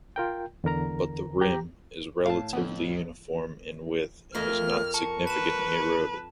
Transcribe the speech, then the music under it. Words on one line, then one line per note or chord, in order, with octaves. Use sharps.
But the rim is relatively uniform in width and is not significantly eroded.
F4 A#4 G5
E2 D3 A#4 A#5
G4 A#5
A2 F5 A5
F2 D3 B3
F2 A3 A#3 F4 D#5 F6
A#4 A5 C#6
B4 A5 E7